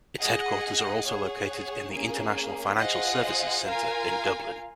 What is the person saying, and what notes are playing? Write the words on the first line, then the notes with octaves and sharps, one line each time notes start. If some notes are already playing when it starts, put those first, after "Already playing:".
Its headquarters are also located in the International Financial Services Centre in Dublin.
G#4 D#5 F#5
G#4 C#5 F#5
A#3 C#4 G#4
F4 G#4 C5 D#5 F#5
F4 A#4 F5 G#5